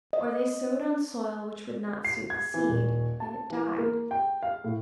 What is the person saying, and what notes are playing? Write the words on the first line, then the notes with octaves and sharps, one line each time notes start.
Or they sowed on soil which would not suit the seed, and it died.
D#5
C7
G#6
E3
D#1
A5
E3
A#3
G5
F5
A2